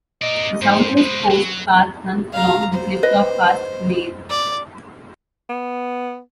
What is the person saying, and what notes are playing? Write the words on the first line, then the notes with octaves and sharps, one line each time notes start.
The South West Coast Path runs along the clifftop past Maer.
A#4 D5 D#5
G#2 C5
G#3 B4
F#3
F5 A#5
C5
B4 D#5
D5
B3